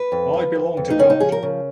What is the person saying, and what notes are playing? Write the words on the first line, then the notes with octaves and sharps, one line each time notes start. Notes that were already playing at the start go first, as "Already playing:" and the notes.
I belong to God.
Already playing: B4
F2
F3
F2
F2
D#4
C#3 C#4
D#4
F3 G#4
A#4
C#3